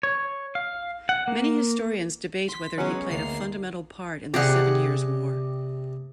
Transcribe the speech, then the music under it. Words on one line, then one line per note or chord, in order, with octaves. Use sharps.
Many historians debate whether he played a fundamental part in the Seven Years' War.
C#5
F5
F#5
A#3
C6 B6
F#3 G#3 B3 C#4 F#5
D2 A#3 D#4 C7
C3 D4 G4 G#4 D#5 F#5